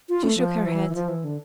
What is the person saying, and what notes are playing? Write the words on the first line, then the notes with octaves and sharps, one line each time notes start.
She shook her head.
F4
A3
F3
E3
E3
F3
E3
D3